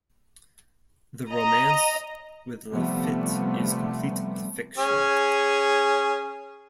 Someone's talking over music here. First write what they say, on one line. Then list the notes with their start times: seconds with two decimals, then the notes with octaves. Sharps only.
The romance with Lafitte is complete fiction.
1.30 D#5 A#5
2.70 C3 F3 G3 A3 B3
4.77 C#4 G#4